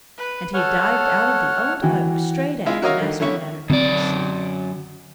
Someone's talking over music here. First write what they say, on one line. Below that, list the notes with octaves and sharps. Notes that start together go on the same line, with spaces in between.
And he dived out of the old oak straight at Master Meadow Mouse.
B4
A4 C#5 F#5 F6
E3 F#4 G5
G#3 E4 F4
F#4 A#4 C#5 D#5 F5 E6
D3 D#3
D3 C#4 E4 C#6
F#2 D3 C4 D5